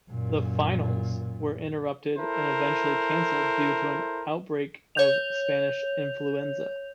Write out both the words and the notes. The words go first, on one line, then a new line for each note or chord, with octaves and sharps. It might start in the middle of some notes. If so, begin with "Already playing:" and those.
The Finals were interrupted and eventually cancelled due to an outbreak of Spanish influenza.
F#2 A#2
E4 A4 A#4 C5
C#5 G6 F7